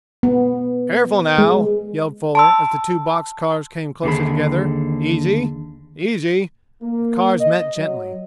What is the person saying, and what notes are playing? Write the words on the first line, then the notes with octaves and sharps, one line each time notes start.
"Careful now," yelled Fuller, as the two box-cars came closer together. "Easy--easy!" The cars met gently.
B3
G#3
A5 C6 E6
D#2 D3 G#4 B5
A#3
D#5
F#3